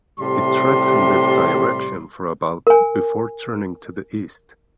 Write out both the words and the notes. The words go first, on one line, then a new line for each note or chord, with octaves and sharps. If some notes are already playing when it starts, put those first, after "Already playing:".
It treks in this direction for about before turning to the east.
A2 C3 G3 C6
A#4 G#5